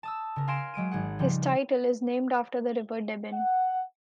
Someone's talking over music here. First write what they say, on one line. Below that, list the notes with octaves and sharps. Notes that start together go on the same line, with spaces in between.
His title is named after the River Deben.
A5 D#6 E6
C#3 A#4
F5 G#5 C6 A#6 D7 E7
F#3 G#3 D7 D#7
G#1 G#4 F#5
C#3 F3 G3
F#5